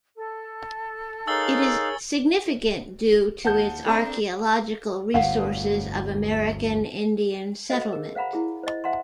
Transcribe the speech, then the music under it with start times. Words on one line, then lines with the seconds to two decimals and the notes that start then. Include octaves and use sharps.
It is significant due to its archaeological resources of American Indian settlement.
0.16 A4
1.27 D#4 G#4 A#4 C#5 F5 E6 A6 G7
3.45 D#2 F#5 A5 G6
3.86 C4 D4 A4 A#5 C6
5.14 G1 D2 A2 F5 F#5
7.70 F#4 A4 C5 D#5 F5
7.93 G#4 A#4
8.15 C5 F5 F#5 A#5 B5
8.33 E4 G#4
8.63 C5 D#5
8.84 C5 E5 F#5 A#5 C6